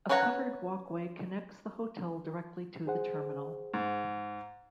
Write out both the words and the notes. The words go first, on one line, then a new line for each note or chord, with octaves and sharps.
A covered walkway connects the hotel directly to the terminal.
C#4 B4 C#5 F#5 A#5
G#4 C5 F#5
G#2